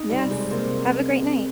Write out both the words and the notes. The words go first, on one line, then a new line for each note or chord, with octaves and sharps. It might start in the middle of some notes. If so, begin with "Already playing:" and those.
Yes. Have a great night.
Already playing: D#4
C3 G3 C4
C3 G#3 C4
C3 A#3 C4